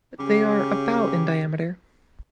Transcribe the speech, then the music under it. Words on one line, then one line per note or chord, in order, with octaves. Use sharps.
They are about in diameter.
C#3 G4